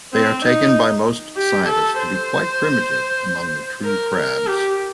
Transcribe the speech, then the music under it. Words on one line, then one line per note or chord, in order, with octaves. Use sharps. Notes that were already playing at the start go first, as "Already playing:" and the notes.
They are taken by most scientists to be quite primitive among the true crabs.
C4
D#4
G4
A4
C5
A#4
A#4
G4